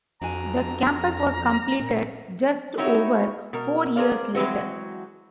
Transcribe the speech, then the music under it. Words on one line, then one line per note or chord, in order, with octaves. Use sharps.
The campus was completed just over four years later.
F2 D4 F#4 G#5 A#5
A#2
C4 D#4 E4 F#4 C#5
B2 A#4
G#4 A#4 C5 D5 F5
E3 F#3 G#3 C4 F4 F#4